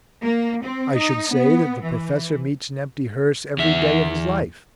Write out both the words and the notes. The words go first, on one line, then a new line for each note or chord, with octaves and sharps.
I should say that the professor meets an empty hearse every day of his life.
A#3
C4
D#4
B3
E3
E2 E5